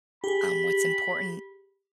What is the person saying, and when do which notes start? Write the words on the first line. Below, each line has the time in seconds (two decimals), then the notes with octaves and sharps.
um, what's important
0.24 G4 G#4 B5